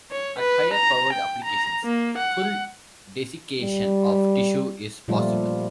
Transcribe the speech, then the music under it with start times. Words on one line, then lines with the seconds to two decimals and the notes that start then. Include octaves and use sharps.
At higher powered applications, full desiccation of tissue is possible.
0.11 C#5
0.40 B4
0.74 A#5
1.13 G5
1.44 A#5
1.84 A#3
2.18 F#5
3.61 G3
5.08 A#2 F3 G3 A3 F4